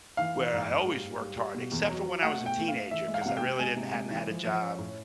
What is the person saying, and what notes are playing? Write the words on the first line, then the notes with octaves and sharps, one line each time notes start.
where I always worked hard, except for when I was a teenager 'cause I really didn't hadn't had a job
E3 F5
E3
G#2
G#2
G3
G#2
G3
G3
B2
E2
F#3
F#3
A3 F#5
B2
G5
A3
F5
A3
E3 E5
G#3
F5
F#5
C3 F5
G5
C3
G#3 G#5
C3
G#3
E3
F3
F3
C#4
A2